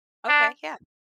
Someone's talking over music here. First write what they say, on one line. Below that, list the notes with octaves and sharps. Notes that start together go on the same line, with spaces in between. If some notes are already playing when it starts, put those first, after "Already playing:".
Okay, yeah.
D4